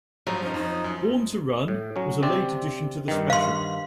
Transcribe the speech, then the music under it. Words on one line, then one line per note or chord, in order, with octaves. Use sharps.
"Born to Run" was a late addition to the special.
G2 F3 F#3 A#5
C#4 D#4 C5
F2 D#4
F#2
A2
F#3 C#4
C3 C4 D5
G2 D#3
F5 C6